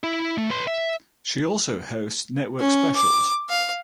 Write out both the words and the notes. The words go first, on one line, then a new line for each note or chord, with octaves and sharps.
She also hosts network specials.
E4
A3
B4 C6
E5
C#4
D6
F5